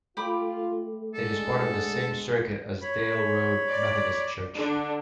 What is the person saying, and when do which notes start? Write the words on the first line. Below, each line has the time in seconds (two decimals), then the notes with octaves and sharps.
It is part of the same circuit as Dale Road Methodist Church.
0.17 A3 F4 G4 B5 D6
1.14 D3 G#3 A4
2.82 C#5 B5
3.71 D5
4.53 D3 D4